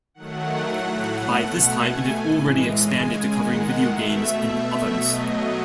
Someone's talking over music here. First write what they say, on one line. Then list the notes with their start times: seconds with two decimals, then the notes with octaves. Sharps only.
By this time, it had already expanded to covering video games and others.
0.14 D#3 F#3 A3 F#5
0.68 A2 F#3 A3
1.21 B2 A3
1.74 B2 A3 G#5
2.28 A2 E3 G#3
2.80 C#3 G#3 G#5
3.33 D#3 G#3 F#5
3.87 B2 A3 E5
4.40 B2 A3
4.93 B2 F#3 A3 D#5